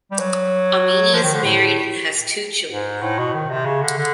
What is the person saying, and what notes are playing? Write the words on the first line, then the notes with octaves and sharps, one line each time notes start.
Amini is married and has two children.
G3
F#3
F3
D#3
D3
A2
G#2
A2
B2
D#3
C3
C#3
D3
D3